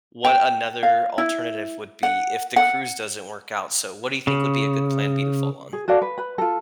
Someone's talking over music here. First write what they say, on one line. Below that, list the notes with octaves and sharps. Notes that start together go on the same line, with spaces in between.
what another alternative would be if the cruise doesn't work out, so what do you think would be a good plan B to fall on?
G5
F5
E4
F#5
F#5
C#3
G#4
F#4 A4 D5 F5
B4
B4 B5
F4 A4